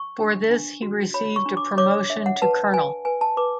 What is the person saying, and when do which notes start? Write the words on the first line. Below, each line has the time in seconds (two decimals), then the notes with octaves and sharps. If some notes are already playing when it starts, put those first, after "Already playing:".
For this he received a promotion to colonel.
Already playing: C#6
0.19 D4
0.50 D4
0.82 F#4
1.14 C#5 B5
1.36 C#6
1.46 D4
1.57 D6
1.78 C#5 D6
2.10 D4 E5
2.26 F#5
2.42 B4 A5
2.74 B4 G#5
3.05 B4 G#5
3.21 A5
3.37 B4 D6